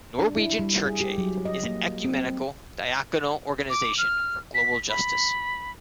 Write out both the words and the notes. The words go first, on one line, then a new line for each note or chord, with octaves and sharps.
Norwegian Church Aid is an ecumenical diakonal organisation for global justice.
D4
E4
G3
G#4
G4
F#3
D#5
A#3
C4
D6
F6
B6
B5